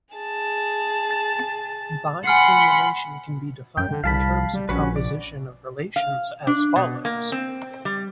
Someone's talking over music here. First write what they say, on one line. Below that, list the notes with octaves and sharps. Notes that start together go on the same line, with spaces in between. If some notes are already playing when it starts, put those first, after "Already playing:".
Bisimulation can be defined in terms of composition of relations as follows.
G#4 A5
A6
F#5 G#5 B5 C6 F6 C7
F#2 G5
D3
C2 F5 A5 B5
G3
A#1 C#4 F#4 B4
D5
F5
D4
B2
A#3
C4
G3